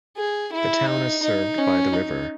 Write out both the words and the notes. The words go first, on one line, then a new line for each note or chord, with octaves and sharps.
The town is served by the River.
G#4
E4
D#4
D#4
C#4
D#4